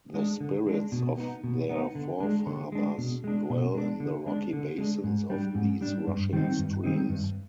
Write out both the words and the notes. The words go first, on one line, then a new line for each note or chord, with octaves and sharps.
The spirits of their forefathers dwell in the rocky basins of these rushing streams.
G#3 D4
D3
G#3 D4
B2
B3 D#4
B2
B3 D#4
D3
G#3 D4
D3
G#3 D4
B2
G#3 D4
B2
G#3 D4
D3
G#3 D4
D3
G#3 D4
G#2
G3 D4
G#2
G3 D4
G2
D#3 G3 C4 D#4
G2
D#3 G3 C4 D#4
G2